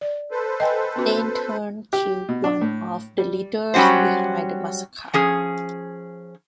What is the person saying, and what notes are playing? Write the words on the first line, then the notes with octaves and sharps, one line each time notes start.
They in turn killed one of the leaders behind the massacre.
D5
A4 B4 C5
D#5 G5 G#5
B3 C#4 F#4
G4
B2
D4
A2
G3
F#3 G3 C#4 F#4 C5
F3 C#4 G#4